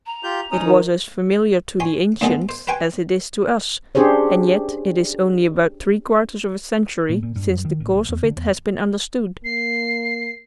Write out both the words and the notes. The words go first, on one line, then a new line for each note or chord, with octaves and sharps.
It was as familiar to the ancients as it is to us, and yet it is only about three-quarters of a century since the cause of it has been understood.
A#5
F4 G4 G6
C#4 D#4 D#6
D#3
C#5 G#5 C6
D2 G2 D3 G#3 B3
C5
B4 C5 G5 G#5 C#6
C#4 D4 G4 G#4 C5 C#5
A#2
A#2
G2
F#2
D#3
A1
B1
E2
D3
E2
A#3 C7